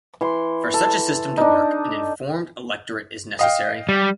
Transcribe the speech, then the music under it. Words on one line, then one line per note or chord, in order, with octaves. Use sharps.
For such a system to work an informed electorate is necessary.
E3 C6
A4
D4 D#4
D#5 F5 G5
G3